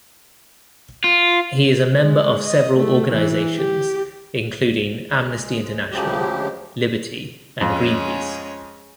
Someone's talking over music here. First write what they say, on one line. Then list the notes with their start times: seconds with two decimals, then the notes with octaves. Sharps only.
He is a member of several organisations including Amnesty International, Liberty and Greenpeace.
1.04 F4
2.03 G#3
2.45 D#5
2.77 A3
3.10 E3
3.56 G4
5.10 G#3
5.92 D2 C#3 F3 F#3 G#3 G4
7.61 F2 G#3 C#4